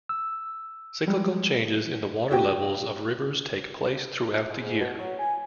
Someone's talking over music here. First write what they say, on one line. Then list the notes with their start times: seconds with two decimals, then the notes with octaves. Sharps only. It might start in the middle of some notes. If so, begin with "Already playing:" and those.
Cyclical changes in the water levels of rivers take place throughout the year.
0.09 E6
1.07 F3 G3 G#3
2.31 F#4 G4 G5
4.49 G#2
4.79 B2
4.98 F#3
5.19 G#5